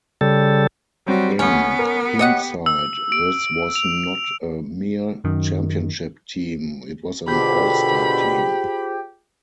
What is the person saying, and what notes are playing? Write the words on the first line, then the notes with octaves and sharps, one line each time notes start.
In hindsight, this was not a mere championship team; it was an all-star team.
C#3 G3 A4
F#3 G3 C4 F#4
D2 B3 C#4
A#4
G4 C#5 D#5 F#5
E6
D7
F7
F#2 D#3
B2 D3 F4 G4 G#4 C5 B5